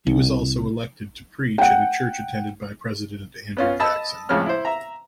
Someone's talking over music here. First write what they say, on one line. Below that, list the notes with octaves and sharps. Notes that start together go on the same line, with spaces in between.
He was also elected to preach at a church attended by President Andrew Jackson.
C2
F#5 G5
B3 C#4 F4
D#5 A5 B5 E6
F2 A2 C#3 G#3 C#4 F6
E4 C5
E5 A#5